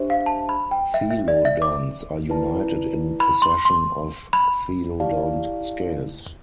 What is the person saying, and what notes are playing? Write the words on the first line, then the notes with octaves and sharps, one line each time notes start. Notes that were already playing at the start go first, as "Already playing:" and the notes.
Thelodonts are united in possession of "thelodont scales".
Already playing: D4 G4 C5 E5
F5
A5
B5
G5
E5
E5
D5
E5
D6
E4 B4 D5 A5
B5
C6
C6
B5
E4 G4 D5 F5 A5